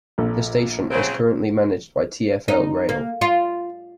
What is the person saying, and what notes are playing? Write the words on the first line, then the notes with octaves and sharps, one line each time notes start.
The station is currently managed by TfL Rail.
A#1 A4
C#3 F#3 C4
D#4
A#3
F4